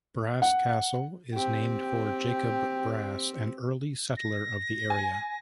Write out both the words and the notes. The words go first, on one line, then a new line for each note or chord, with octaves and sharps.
Brass Castle is named for Jacob Brass, an early settler of the area.
F#5
C4 G4
A#6
G#5